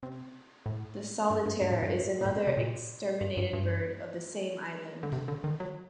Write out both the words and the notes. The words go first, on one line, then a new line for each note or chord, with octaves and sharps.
The solitaire is another exterminated bird of the same island.
C3
A2
G2
G2
G2
A2
G2
A#2
A2
C3
C3
A#2
G2
G2
G2
D3
C3
D3
D#3
F#3